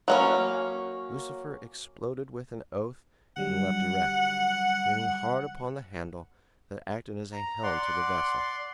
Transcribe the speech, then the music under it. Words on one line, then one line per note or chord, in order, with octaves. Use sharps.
Lucifer exploded with an oath and leapt erect, leaning hard upon the handle that acted as a helm to the vessel.
F#3 A#3 C#4
D3 F#3 G3 F#5
A#5
D5 F#5 C6